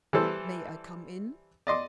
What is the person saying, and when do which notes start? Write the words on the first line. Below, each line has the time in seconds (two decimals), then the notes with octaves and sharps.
"May I come in?"
0.13 E3 G3 A4 C5
1.67 D5 D#5 C6 D6